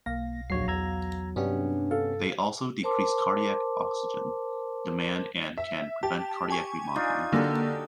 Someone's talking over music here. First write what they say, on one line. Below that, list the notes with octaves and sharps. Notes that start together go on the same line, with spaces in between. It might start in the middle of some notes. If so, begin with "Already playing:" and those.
They also decrease cardiac oxygen demand and can prevent cardiac remodeling.
B1 A#3 F5 A#6
A#1 D#2 F#3 C#5 C7
E2 A#5 E6 G#6
G2 C3 B3 C#4 D4 G4
A4 F5
A#4 C5 A5 C6 D6
E5
G4 A5
G#5 C#6
D4 D#4 F4
D3 F#3 A#3 G4 A4